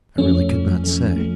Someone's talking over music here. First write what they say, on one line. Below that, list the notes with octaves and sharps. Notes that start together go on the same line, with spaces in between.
'I really could not say.
F2 F3 A3 C#4
F2 F3 A3
F2 F3 A3
F3 A3